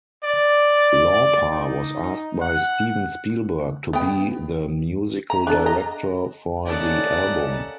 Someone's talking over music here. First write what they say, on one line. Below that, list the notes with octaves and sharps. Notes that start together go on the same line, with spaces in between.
Lauper was asked by Steven Spielberg to be the musical director for the album.
D5
D#4
F#5
B3 G5
A#5
D4 F#4 A4
D#5 A#5
C3 A#3 C#4 D#4 A4 D5 F#5 A5